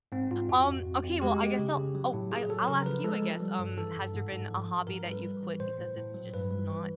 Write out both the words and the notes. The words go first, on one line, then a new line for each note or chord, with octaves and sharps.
Um, okay, well, I guess I'll oh, I I'll ask you, I guess, um, has there been a hobby that you've quit because it's just not
G#2 C4
G#2 F4
F2 F#4
F2
F2
F2
G#3 G4
G#3
C#3
C#3
F#3
A2
F#3 G#4
F#3 A4
C#3 A#4
F3 B4
G#3 A4
F3
G3
G2
E3 A4
G2
G#2
G#2
F3
F3
G#2 A#4
G3 B4
G3
E3
A2 C5
A2
A2
F#3
G2 B4
G3
E3